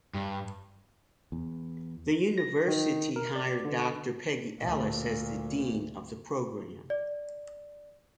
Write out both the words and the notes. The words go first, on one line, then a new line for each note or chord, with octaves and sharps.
The university hired Doctor Peggy Ellis as the dean of the program.
G2
E2
A#6
D#3
A#4
D5
D3
D2 A#2
D5